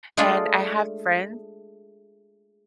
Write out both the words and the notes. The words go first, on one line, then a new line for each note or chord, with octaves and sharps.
and I have friends
G#3 A3 D4 F4 G#4 G#5